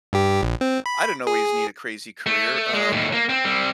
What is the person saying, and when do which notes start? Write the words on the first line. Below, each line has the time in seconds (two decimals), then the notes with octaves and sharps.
I didn't always need a crazy career, uh,
0.13 G2 G4
0.43 A#1
0.61 C4
0.86 B5
1.27 G#4
2.26 A3
2.73 G#3
2.92 D#2 A2
3.13 A#3
3.29 C4
3.45 G3 C4